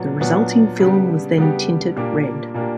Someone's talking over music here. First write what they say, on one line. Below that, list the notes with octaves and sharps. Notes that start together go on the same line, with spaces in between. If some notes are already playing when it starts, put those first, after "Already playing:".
The resulting film was then tinted red.
Already playing: A#2 F#3 B3 D4
A#2 F#3 B3 D4
C#3 G3 B3 D4 G4
C#3 G3 B3 D4 G4
A#2 A#3 D4 G4
A#2 A#3 D4 G4